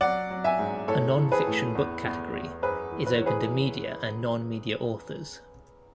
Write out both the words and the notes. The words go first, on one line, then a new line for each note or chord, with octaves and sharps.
A non-fiction book category is open to media and non-media authors.
F#3 D5 F#5
F#3
E5 G#5
G#2
A2 A4 C#5
E3
G#4 B4
A2
E2
E2
E2
F#2 G#4 B4
E3
B4
C#5
E3
G#4 B4